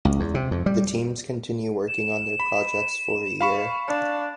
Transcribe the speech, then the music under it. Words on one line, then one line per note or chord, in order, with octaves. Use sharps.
The teams continue working on their projects for a year.
C#2
E2
C3
F2
G3
E7
B5
F5 B5 C#6
D4